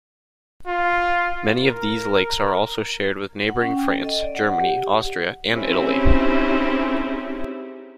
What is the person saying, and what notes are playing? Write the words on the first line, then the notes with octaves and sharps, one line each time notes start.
Many of these lakes are also shared with neighboring France, Germany, Austria, and Italy.
F4
A#4
F#5
C#4
G5
A4
D#5
D5
F#5
F#5
G4
C4 C#4 D#4 E4 G4 G#4